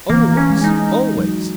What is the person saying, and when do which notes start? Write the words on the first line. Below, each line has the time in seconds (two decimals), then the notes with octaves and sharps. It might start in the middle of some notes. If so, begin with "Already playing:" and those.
Always. Always.
0.10 E3 A#3
0.37 C#4
0.50 G#3
0.64 D#4
1.17 F#3